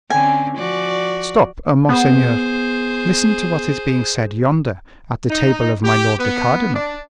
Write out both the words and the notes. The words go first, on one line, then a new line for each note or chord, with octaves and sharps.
"Stop, monseigneur, listen to what is being said yonder, at the table of my lord the cardinal."
D3 C4 C#4 G#5
F3 F#4 D5
B3 G#4 C5
D#4
G4
B3
D4